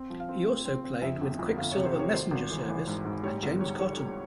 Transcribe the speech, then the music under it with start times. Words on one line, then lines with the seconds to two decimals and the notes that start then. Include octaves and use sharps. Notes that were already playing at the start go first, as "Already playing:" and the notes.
He also played with Quicksilver Messenger Service and James Cotton.
Already playing: C4
0.10 F3
0.20 F5
0.29 C4
0.47 C4
0.65 C4
0.84 C4
1.02 F2 E5
1.21 G1
1.39 F2
1.57 G1 F5
1.71 C#5
1.76 C3
1.85 C5
1.95 C3 C#5
2.14 G#1 C5
2.31 G#1
2.50 E3
2.69 E3
2.87 G#2
3.05 G#2
3.23 G3 C#5
3.43 G1
3.61 G3 C#5
3.79 G3 C#5
3.97 G3